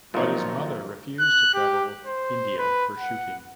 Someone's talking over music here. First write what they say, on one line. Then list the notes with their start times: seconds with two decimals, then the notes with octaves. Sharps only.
But his mother refused to travel India for shooting.
0.14 G#1 A#2 D#3 F3 F#3 D#4 C#5
1.19 F#6
1.54 G4
2.06 C5
2.58 B4
2.99 F#5